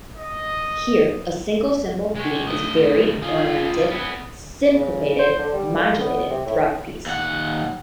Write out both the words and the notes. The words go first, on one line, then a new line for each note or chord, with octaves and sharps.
Here, a single simple theme is varied, ornamented, syncopated, modulated throughout the piece.
D#5
G#3 C#5
D2 D#5
F4 G#4
B3 G#4
C#3
C5
D3
G3
A#3
B3
C3
A2
D#2 F#5